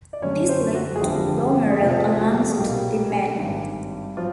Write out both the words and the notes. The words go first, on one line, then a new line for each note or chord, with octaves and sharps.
This led to low morale amongst the men.
D5
F#2 D3 G3 C#4 C#5
C4 C5
F#3 F#4
G#4
G1 F2 D3 F3 G3 A3 G4
G#4
G4
G#3 G#4
F2 C3 F3 A3 A4
G#4
A3 A4
F#4
G3 G4
G#4
B1 A#2 F#3 G3 A#3 G4
G#1 G2 D#3
F3 F#3 F4